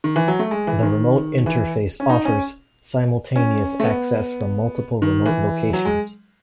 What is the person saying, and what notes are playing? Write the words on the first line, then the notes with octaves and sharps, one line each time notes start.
The remote interface offers simultaneous access from multiple remote locations.
D#3
E3
F#3
A3
G#3
E3
D#3
E3
C#4
D#4
C#4
C#4
A3
B3
D#3
E3
F#3
G#3